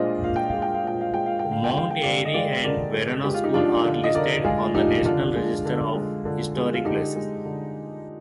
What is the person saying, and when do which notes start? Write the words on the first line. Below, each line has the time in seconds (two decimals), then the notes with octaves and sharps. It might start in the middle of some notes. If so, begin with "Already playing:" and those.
Mount Airy and Verona School are listed on the National Register of Historic Places.
Already playing: A#2 G#3 D4 F4 C5 D#5
0.24 A#2 F5
0.36 G5
0.50 G#3 F5
0.62 G5
0.75 F5
0.83 A#2 G5
1.01 F5
1.14 G#3 G5
1.26 F5
1.39 G5
1.44 D3
1.52 F5
1.64 G5
1.73 G#3 F5
1.90 G5
2.03 D3 D5 F5
2.25 D#5
2.34 G#3 D5 F5
2.64 D3 A#4 D5
2.94 G#3
3.24 G#3 G4
3.34 F4
3.44 D#4 G4
3.54 F3 D4 F4
3.84 D3
4.04 D#5
4.15 D3 A#4 D5
4.44 G#3 F4 G#4
4.74 F3 D#4 G4
5.05 D3 D4 F4
5.35 G#3
5.65 D3
5.95 G#3
6.25 D3
6.56 G#3
6.74 F4
6.85 D3 D#4 G4
7.16 G#3
7.45 D3